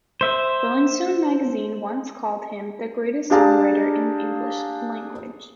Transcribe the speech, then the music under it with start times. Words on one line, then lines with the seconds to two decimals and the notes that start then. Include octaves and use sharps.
"Rolling Stone Magazine" once called him "The greatest songwriter in the English language".
0.21 C5 E5
3.30 D4 G4 G#4 F5 A5 A#5